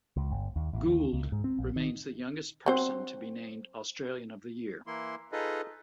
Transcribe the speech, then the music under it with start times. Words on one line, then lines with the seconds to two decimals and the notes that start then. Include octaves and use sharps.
Gould remains the youngest person to be named Australian of the Year.
0.17 C#2
0.31 G1
0.56 D#2
0.73 A1
0.86 D#2
1.13 C#2
1.32 G#2
1.44 C4
1.59 A#1
1.76 D#3
2.66 F#3 C4 C5
4.87 E3 A#3 E4 C6
5.32 D#4 F4 G#4 A4 B4 D#5